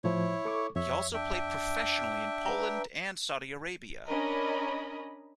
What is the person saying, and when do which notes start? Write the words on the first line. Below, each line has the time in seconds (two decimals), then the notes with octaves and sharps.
He also played professionally in Poland and Saudi Arabia.
0.04 A2 F3 E4 C5 C#5
0.45 A4 C#6 D6
0.76 F2 C#5 E5
1.14 D4 E5 G5
2.46 B4 A#5
4.08 C#4 D4 A#4 D#5 B5